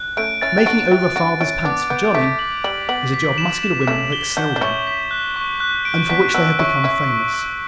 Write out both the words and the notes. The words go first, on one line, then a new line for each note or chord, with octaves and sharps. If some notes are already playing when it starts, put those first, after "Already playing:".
"Making over father's pants for Johnnie" is a job Muscular women have excelled in and for which they have become famous.
Already playing: F#6
A3 C#4 D7
C#4 E4 A6
G4
D4 F#4 D7
E4 G4 A6
D4 F#4 D7
C#4 E4 D7
B3 D4 D6
B3 G6
A3 B6
F#7
G3 F#7
B3 F#7
B6
E7
E7
A3 C#4 E7
G7
D4 F#4 G6
D4
C#4 E4 C#6
B6
F#6
C#6
F#6
D7
B3 D4 B6
B3 D4 E6
C#4 E4 C#6
C#4 E4 C#6
C#6
E6